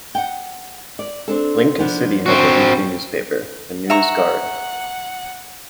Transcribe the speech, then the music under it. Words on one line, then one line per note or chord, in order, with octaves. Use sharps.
Lincoln City has a weekly newspaper, "The News Guard".
F#5 G5
D5
C4 D4 A4
F3 B3 D4
C4 F#4
E5 F#5 A#5 C#6